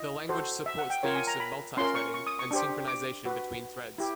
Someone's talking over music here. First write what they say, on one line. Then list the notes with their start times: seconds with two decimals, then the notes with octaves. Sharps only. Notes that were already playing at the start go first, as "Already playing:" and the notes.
The language supports the use of multi-threading, and synchronization between threads.
Already playing: E4 D#5
0.29 F#4 A4 C5
0.66 E5
0.78 F#5
0.90 G5
1.03 F4 A#4 C#5
1.15 G#5
1.27 A#5
1.40 B5
1.77 C#4 F4 A#4 C6
1.95 C#6
2.14 C#6
2.27 D#6
2.39 C#6
2.51 D4 G4 C5
2.88 D6
3.25 F#4 B4
3.98 E4 G4